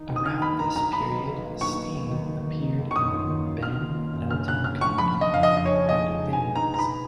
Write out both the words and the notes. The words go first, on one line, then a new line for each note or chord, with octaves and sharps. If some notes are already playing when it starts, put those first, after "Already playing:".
Around this period Steen appeared in the Ben Elton comedy "Happy Families".
Already playing: D#3 D#4
D#2
D#6
B1 F6
A#3 B5
B1 A#5
B1 A#5
B1 B5
B1
B1
A#3
D#4 C#6
D#4
D#2
D#3
D#4
D#3
D#4
D#2
C#6
F#2 D#6
F4
D#3
F4
F4 F6
F4
A#3
F#2
C#3 F6
C#3 F#6
C#3 F6
F3 C#6
F3 B5
F3
D#5
F2 F5
D#5
F2
D#5
G#4 C#5
G#4
D#5
D#4
G#3
B2 G#5
D#4 A#5
G#3
A#5
B5
G#4